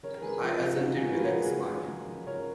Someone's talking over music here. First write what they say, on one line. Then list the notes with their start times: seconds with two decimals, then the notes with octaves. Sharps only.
I assented with a smile.
0.03 C#3 A#4 C#5
0.16 A#4
0.22 G#3 G#4 B4
0.41 F3 F4
0.59 C#3 F4
0.78 C#3 D#4 F#4
0.96 G#3 F4 G#4
1.09 B4
1.15 F3 F#4 A#4
1.24 C#5
1.33 C#3 G#4 B4
1.52 C#3
1.71 G#3
1.89 F3
2.08 C#3
2.27 C#3 A#4 C#5